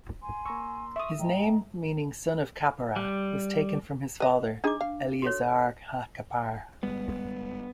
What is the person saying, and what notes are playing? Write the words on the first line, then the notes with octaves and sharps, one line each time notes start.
His name, meaning "Son of Kapparah", was taken from his father, Eleazar ha-Kappar.
G#5 C6
A#3 A#5 C#6 E6
E5 C#6 D#6
A2 D#5 G5 A#5
G3
B4 D#5
D4 D#4 G#4 D6
F5
F#4 A4 C#5
G1 G3 G#3 B3